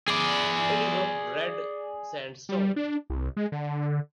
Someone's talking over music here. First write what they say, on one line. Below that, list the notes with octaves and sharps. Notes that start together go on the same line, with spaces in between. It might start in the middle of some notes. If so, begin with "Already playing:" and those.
It is of red sandstone.
G#4 D5
G3
D4
C2
G#3
D3